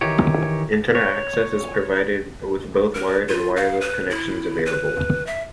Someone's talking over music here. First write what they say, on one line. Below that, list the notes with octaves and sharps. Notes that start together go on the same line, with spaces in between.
Internet access is provided, with both wired and wireless connections available.
D#3 E3 D#4 G4 C#5
C#5
A#4
F4
F5
B4
E4
B4
E5